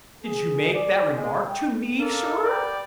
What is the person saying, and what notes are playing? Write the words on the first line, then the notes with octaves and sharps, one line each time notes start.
Did you make that remark to me, sir?'
G#4
D5
G#3
G5
A4 A#4 D5 F5
B3 G4 D5